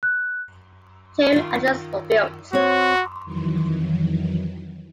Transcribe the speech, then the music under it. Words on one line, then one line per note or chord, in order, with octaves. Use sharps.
Two "Atlant"s were built.
F#6
D#3 F4
C4 F#4 C#5
F2 D#3 E3 F#3